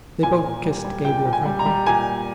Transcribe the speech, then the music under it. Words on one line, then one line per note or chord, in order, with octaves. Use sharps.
They both kissed Gabriel frankly.
A#2 G#5
A#2
G3
G3
A#2 G5
A#2
G#5
G3
A#5
G3
A#2 G#5